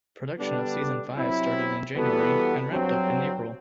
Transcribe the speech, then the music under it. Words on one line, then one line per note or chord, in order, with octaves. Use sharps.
Production of Season Five started in January and wrapped up in April.
D3 G3 B3 D4
C3 F#3 C4 E4
E3 G3 B3 F#4 A4
G2 F#3 C4